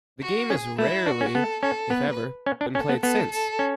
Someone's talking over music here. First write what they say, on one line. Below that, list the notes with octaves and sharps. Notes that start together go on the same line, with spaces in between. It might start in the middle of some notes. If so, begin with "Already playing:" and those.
The game has rarely if ever been played since.
F#4
C#4 G#4
A3 E4
D4 F#4
C#4
B3 A4
C#4 A4
B3 B4
C#4
D4
C#4 A4
B3
B3 A4
A4
C#4